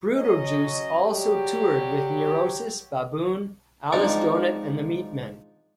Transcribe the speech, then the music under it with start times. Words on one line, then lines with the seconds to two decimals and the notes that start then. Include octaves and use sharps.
Brutal Juice also toured with Neurosis, Baboon, Alice Donut and The Meatmen.
0.15 F#3 C#4 C#5 D#5
1.04 F#3 G3 G4
3.92 G#2 F3 C4 D4 D#4